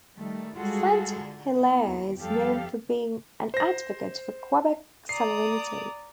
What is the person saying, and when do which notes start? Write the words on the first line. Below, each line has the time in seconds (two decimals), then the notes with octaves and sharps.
St-Hilaire is known for being an advocate for Quebec sovereignty.
0.18 D#3 G3 A3
0.57 G3 G#3 F4 F#4 G#4 A4
1.20 D3
1.54 B3 E4
1.87 D#2
2.18 F2 F3 G3 G4 A4 F5
3.54 C5 A#6
5.09 D5 A#5 D#6 C7